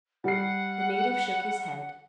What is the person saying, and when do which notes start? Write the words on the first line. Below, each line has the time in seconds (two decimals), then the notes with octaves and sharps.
The native shook his head.
0.24 G3 F#5 C7